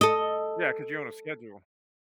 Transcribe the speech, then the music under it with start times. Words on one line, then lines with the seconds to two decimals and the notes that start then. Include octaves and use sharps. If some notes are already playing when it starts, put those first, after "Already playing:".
Yeah, 'cause you're on a schedule.
0.01 A4 D#5